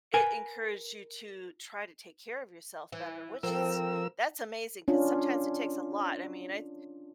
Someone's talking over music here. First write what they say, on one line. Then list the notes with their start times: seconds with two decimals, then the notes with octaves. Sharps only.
it encouraged you to try to take care of yourself better, which is that's amazing, 'cause sometimes it takes a lot. I mean, I th
0.14 A#4 B4 G#5
2.92 E3
3.43 F3 C4 A4 A#4 E6
4.88 C#4 D4 F4